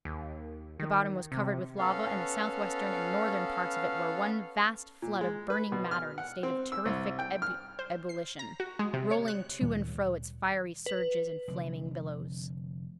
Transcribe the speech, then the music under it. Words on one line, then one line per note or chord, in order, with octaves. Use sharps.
The bottom was covered with lava, and the southwestern and northern parts of it were one vast flood of burning matter in a state of terrific ebullition, rolling to and fro its 'fiery surges' and flaming billows.
D#2
D#3
C3
B3 C#4 A4 F5
A#2
G#3
B4
B2
F6
F#5
C4
E6
C2
G5
F6
C5
C7
A#5
F#4
G#3
C3
C#5
F#6
D2 A#2 D#3 G3
B4
F1 D3